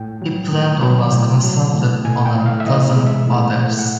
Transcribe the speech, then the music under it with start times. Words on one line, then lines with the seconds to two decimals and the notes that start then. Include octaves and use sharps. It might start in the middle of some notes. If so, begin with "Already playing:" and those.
He planned or was consulted on a dozen others.
Already playing: A2 G5
0.22 F#3
0.53 A2
0.82 F#3 G5
1.13 A2
1.44 F#3
1.74 A2
2.05 A2 G#5
2.26 G5
2.35 A2
2.46 F5
2.60 E5
2.66 E3 D#5
2.96 G#3
3.06 E5
3.27 A2
3.58 A2
3.79 F#5